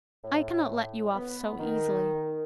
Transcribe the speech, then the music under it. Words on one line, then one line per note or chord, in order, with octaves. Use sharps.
I cannot let you off so easily.
A2
B3
D#3